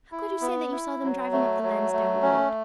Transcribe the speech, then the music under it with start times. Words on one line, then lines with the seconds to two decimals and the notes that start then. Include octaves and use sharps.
How could you say that you saw them driving up the Lansdown Road?
0.12 E4
0.41 B3
0.72 E4
1.03 F#3
1.32 A3
1.63 F#3
1.93 A3
2.22 C#4